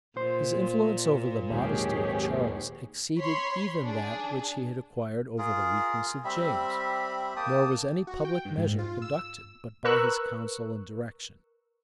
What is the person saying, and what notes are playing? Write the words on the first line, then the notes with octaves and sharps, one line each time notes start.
His influence over the modesty of Charles exceeded even that which he had acquired over the weakness of James; nor was any public measure conducted but by his counsel and direction.
A#2 C5
D#2 G#2 G4 G#4 C#5
C#5 B5 C6
D4 G#4
F4 G#4 A#4
G3 C4 E5 B5
A#3 G5 A5 D#6
F#4
G5
G2
G#2
F4
E6
A#4 B4 C#6 E6 F#6